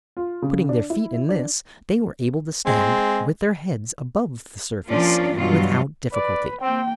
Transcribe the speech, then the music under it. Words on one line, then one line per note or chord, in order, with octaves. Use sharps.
Putting their feet in this, they were able to stand with their heads above the surface without difficulty.
F4
C#3
D4
E4
D4
G#3 C4
F3 A#3 C#4 D4 F4 D5
G2 B2 E3 F#3 G3 F4
B4 D5
A#3 C4 G5